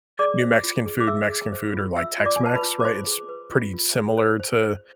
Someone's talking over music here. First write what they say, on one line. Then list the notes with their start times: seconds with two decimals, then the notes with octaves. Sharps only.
New Mexican food, Mexican food, or, like, Tex-Mex, right? It's pretty similar to,
0.19 G#4 D5 D6
0.42 C5
0.64 F4
0.86 G#4
1.00 D6
1.07 G#4 E5 E6
1.29 G#4
1.53 C5
1.74 F4
1.96 F4 E5 E6
2.18 F4
2.25 D5 D6
2.36 G#5
2.41 F4
2.46 A5
2.55 B4 B5
2.63 F4
2.80 D6
2.85 F4 C5 C6
3.07 G#4
3.29 B4
3.51 F4
3.73 F4
3.95 G#4
4.17 C5
4.40 C5
4.62 C5